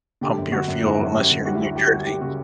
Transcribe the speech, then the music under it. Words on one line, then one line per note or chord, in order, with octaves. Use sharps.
pump your fuel, unless you're in New Jersey.
D3 G4
F#2
D3 F#4
F#2
F#2 E4
F#2
F#2 G4
D3
G3 F#4
E4
D2
F#4
D2 G4
F#4
G3 G4
D2 G4
C#3 F#4